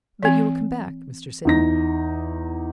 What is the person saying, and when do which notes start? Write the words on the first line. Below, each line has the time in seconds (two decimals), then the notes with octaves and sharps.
"But you will come back, Mr. Sydney?"
0.23 E3 C4
1.45 E2 D#4 A#6